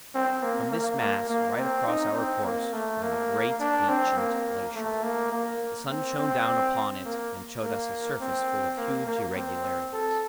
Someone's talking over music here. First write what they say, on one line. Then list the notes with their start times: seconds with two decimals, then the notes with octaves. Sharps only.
From this mass, right across our course, ran a great, ancient glacier; the sun shone down upon it and showed us a surface full of huge irregularities.
0.15 C4
0.43 A#3
0.71 A#3
1.00 A#3
1.30 A#3
1.58 C4
1.87 D#4
2.16 C4
2.44 A#3
2.73 A3
3.03 A#3
3.60 D4
3.89 C4
4.18 A#3
4.75 A3
5.03 A#3
5.33 A#3
5.90 C4
6.19 C4
7.05 A#3
7.63 A#3
8.20 C4
8.78 A#3
9.06 A#3
9.36 C4
9.93 A4